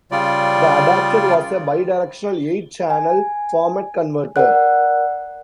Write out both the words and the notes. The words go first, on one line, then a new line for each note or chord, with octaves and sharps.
The adapter was a bidirectional eight-channel format converter.
C#3 G3 F4 D5
G#5
A#4 D5 F#5 F#6